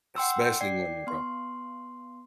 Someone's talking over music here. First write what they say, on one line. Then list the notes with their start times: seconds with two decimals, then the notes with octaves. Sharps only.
Especially women, bro.
0.16 F#5 G5 C6 E6
0.61 D5 G5 C7
1.07 B3 C6